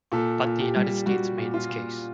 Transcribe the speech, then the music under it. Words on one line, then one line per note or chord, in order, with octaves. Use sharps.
But the United States made its case.
A#2 A4
A#2
G4
G3
G3 F#4
A#2
F4
A#2